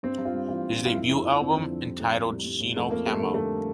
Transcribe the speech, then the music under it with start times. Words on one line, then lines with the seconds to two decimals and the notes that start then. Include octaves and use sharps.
His debut album entitled Sino Camo?
0.03 G2 C4
0.18 G2
0.25 F4
0.34 G3
0.49 E3 F4
0.64 G2
0.79 G2
0.86 F4
0.94 F2 E4
1.09 F2 E4
1.24 F3 D4
1.39 D3 C4
1.55 F2
1.70 F2
1.85 G3
2.00 A2
2.15 A2
2.31 G3
2.45 G3
2.60 A2
2.76 F2 A3
2.91 F2 A#3
3.06 G3 A3
3.20 D3 A#3
3.34 F2 A3